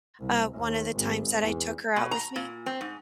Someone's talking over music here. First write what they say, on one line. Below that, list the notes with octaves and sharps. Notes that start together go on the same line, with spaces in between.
um, one of the times that I took her out with me.
C2
D#2
G#1
E2
B2
A#5
A#2
C4
G#2